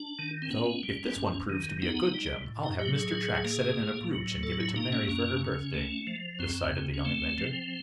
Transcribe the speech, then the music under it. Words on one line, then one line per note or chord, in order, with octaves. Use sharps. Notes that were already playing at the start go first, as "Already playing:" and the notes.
"Though if this one proves to be a good gem, I'll have Mr. Track set it in a brooch, and give it to Mary for her birthday," decided the young inventor.
Already playing: D4
D#3
C4
B3 C#4
G3
G2
D#3
B3 D#4
G3
A2
D#4
F#3 G4
G#4
A2
A#3
A2
F#3
A2 A4
E4
A#3 D#4
C#4
F#2 C#4
C#3
A3
F3
F#2 C4
C#3
C#4
A3 C4
F3